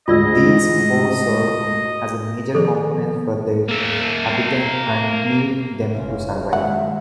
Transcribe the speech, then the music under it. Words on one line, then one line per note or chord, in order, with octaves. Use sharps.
These hosts serve as major components for their habitat and need them to survive.
D2 G#2 F4 D5 D#5 E6
D#3 F3 G#4 A4
A#3 E5
F#1 C#3 E3 F4
D#3 G#3 A#3 E5 F#5